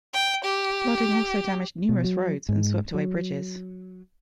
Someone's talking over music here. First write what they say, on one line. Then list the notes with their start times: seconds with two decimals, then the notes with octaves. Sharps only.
Flooding also damaged numerous roads and swept away bridges.
0.13 G5
0.44 G4
1.89 B2
2.04 F#3
2.49 G#2
2.94 F#3